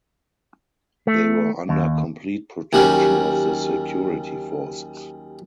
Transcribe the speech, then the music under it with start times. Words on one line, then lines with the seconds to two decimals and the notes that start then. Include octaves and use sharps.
They were under complete protection of the security forces.
1.07 A3
1.69 D#2
2.73 D#2 F#3 G3 C#4